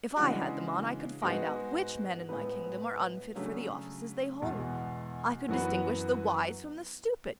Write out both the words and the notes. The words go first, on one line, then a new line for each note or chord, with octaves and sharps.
'If I had them on I could find out which men in my kingdom are unfit for the offices they hold; I could distinguish the wise from the stupid!
C#3 E3 G#3 D4 F#4
G#2 G#3 B3 F#4
A2 G#3 B3 E4 B4
C#3 F#3 A3 D4 G#4
E2 B2 G#3
F#2 E3 B3 F#4 B4